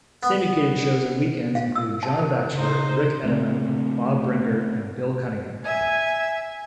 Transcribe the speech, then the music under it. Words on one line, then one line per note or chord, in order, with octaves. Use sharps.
Syndicated shows on weekends include John Batchelor, Ric Edelman, Bob Brinker and Bill Cunningham.
B3
F5
E6
A5
A#4
C#3 D#4 C5
C#3 A3 C4
E5 G#5